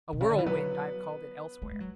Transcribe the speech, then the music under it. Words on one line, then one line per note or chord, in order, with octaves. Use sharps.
A whirlwind I have called it elsewhere.
B2
C#3
D3
E3
F#3 B3 B4
A3
G#3
F#3